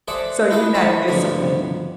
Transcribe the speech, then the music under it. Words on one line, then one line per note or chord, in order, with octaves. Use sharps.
So you're not disciplined.
G#4 A4 C5 D5 E5 F#5
E4 F4 A4 D#5 E5
E4 A4 C5 C#5
D2 G2 B2 D3 F3 F#3